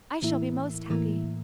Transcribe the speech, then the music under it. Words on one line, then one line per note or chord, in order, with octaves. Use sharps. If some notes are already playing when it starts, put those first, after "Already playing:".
"I shall be most happy."
A2 E3 A#3 E4
A2 E3 A#3 E4